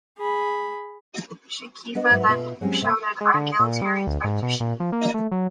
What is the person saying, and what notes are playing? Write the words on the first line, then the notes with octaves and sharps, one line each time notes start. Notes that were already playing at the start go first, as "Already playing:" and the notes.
Shi Kefa then shouted I'm Military Inspector Shi.
G#4 B5
B3 D4 B4 D#5 F#5
G#2 F#3 B4 E5
B2 F4 G#4 D5 E5 F5
F#3 G#3 C4 C#4 G4
C3 A#3 E5 F5
G#3
D3
A#2
G3
D2
G#2
B2
A#2
F3
A#3
A3
F#3